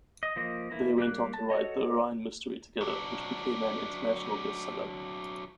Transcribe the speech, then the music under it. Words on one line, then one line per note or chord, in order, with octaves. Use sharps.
They went on to write "The Orion Mystery" together, which became an international bestseller.
D#5
F3 A#3 D#5
E3 A#3 E4
G3 A#3 F#6
A5
F#4 A4 C#5 D#5
F#3 D4